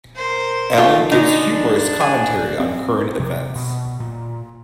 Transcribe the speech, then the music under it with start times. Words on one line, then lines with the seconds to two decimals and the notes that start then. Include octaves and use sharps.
Alan gives humorous commentary on current events.
0.16 A#4 C5
0.77 A3 F4
1.12 D3 C#4 D#4 A#5
1.49 D4
2.00 G#5
2.60 C4
3.20 C3
3.56 B2
4.00 A#2